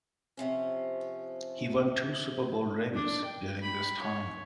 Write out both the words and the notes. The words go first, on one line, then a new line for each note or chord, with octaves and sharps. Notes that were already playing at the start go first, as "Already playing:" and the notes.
He won two Super Bowl rings during this time.
C3 F3 C#4
D4
G5
B5
C#5